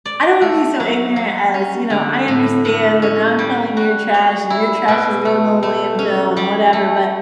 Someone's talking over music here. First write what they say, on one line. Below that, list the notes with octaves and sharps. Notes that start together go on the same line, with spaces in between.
I don't wanna be so ignorant as, you know, "I understand that now I'm filling your trash, and your trash is going to the landfill, and whatever," but
D5
A3
F#3
F#3
C#4
D3
A2
A2
C#4
G3
F#4
C#5
E4
B2
A3
A3
C#4
G3
A3